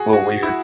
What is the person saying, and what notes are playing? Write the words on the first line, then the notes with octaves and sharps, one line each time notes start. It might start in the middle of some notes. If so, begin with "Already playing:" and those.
little weird.
Already playing: F#4 G#4
F#4
E4
F#4